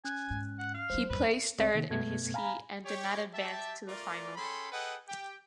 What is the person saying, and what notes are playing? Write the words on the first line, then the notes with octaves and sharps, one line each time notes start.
He placed third in his heat and did not advance to the final.
C#4 G#5 F#6
G#2
F#5
F5
F#3 G3 C5
E2 G2 B4
C#2 G#3 C4 D5
C3 D#3 A#3
F#2 B2 A3 B3 G#6
F5 G#5 A#5 B5
G4 C#5
G4 E5 A5
A3 F4 A#4 D5
C#4 G#4 A4 G5 B5 C6
G#4 A4 B4 D#5 F#5 G5
G4 G5